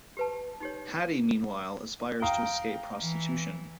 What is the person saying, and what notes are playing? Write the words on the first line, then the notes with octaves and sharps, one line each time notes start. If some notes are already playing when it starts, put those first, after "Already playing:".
Hattie, meanwhile, aspires to escape prostitution.
G4 B4 A5
D#4 G4 C#5
F5 G5 A#5 D#6
E3